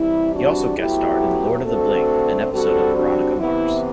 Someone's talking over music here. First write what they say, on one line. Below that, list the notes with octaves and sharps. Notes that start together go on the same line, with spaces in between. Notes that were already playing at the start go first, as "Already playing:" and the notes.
He also guest-starred in "Lord of the Bling", an episode of "Veronica Mars".
Already playing: C3 E3 G3 E4
D4 F#4
A2 F#3 B3 E4 G4
D3 A3 C4 F#4 A4
D3 G3 C4 F#4 A4
D4 F#4
C3 E3 B3 E4